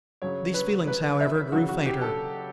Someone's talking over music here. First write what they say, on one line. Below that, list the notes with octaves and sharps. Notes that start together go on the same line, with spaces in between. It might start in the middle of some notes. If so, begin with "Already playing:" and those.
These feelings, however, grew fainter.
C#3 F#3 C#5
B4
B4
E5
C#3 F#3 F#4
F#4
G4
A4